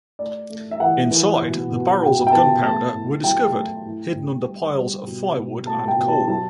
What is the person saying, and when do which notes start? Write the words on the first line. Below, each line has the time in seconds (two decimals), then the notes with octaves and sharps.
Inside, the barrels of gunpowder were discovered hidden under piles of firewood and coal.
0.19 A3 D5
0.50 A3
0.71 E5
0.80 E3 F#5
1.11 E3
1.41 B2
1.71 B2
2.02 B2 G5
2.27 G5
2.32 B3 A5
2.63 A3 A5
2.93 A2
3.24 F#3 G5
3.54 A3
3.85 A2
4.15 A2
4.46 G3
4.76 G3
5.07 B2
5.37 B2
5.67 A3 A5
5.88 G5
5.98 B2
6.08 A5
6.28 F#3 A5